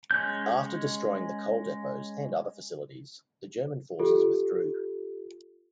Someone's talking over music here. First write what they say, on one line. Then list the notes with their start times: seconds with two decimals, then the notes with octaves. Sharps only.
After destroying the coal depots and other facilities, the German forces withdrew.
0.11 G#3 C#4 G6
3.99 F4 G4 A4